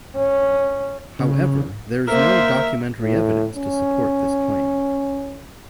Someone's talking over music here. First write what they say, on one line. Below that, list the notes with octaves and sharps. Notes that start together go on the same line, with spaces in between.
However, there is no documentary evidence to support this claim.
C#4
C#3
A#3 A#4 C5 E5
A2
C#4